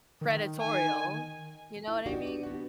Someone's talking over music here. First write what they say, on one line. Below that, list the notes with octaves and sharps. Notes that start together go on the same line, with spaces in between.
predatorial, you know what I mean.
D#3
G#5
E4
D4 D#4 F#4 G4 D5
B3 F#4